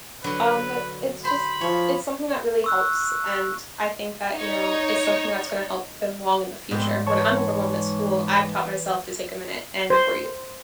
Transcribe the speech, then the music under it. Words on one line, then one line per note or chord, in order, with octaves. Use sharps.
Um, but, it's just it's something that really helps, and I think that, you know, it's something that's gonna help them long in the future, when I'm overwhelmed at school, I've taught myself to take a minute and breathe.
D3 F#3 B4
C5 B5
F3 C#5
C#6 E6 F#6
D#4 C#5
G#2 F3 B3 C4
E3 C#5 A5 C#6
C5